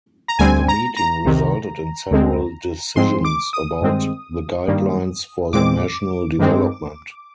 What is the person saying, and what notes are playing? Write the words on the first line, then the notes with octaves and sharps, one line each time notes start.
The meeting resulted in several decisions about the guidelines for the national development.
A#5
D2 D3 G3 C4 G#5
A#5
A#5
C2 C3 D#3
D2 D3 G#3 C4
G#2 F3 G#3 C4 C6
D6
D#6
G2 D#3 G#3 C4
G2 D#3 G3 A#3
A#2 G#3 C4 D6
G2 D#3 G#3 C4